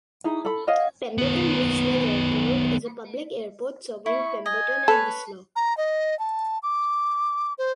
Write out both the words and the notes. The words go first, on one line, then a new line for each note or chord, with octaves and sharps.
Pemberton Regional Airport is a public airport serving Pemberton and Whistler.
D#4 E4 G#4 A#5
A4 B5
C#5 D#5 F5 F#5
D#3 B3
E4 C#6
D#5 G#5
A4 B4 C#5
A#5
D#5
A5
D6
C5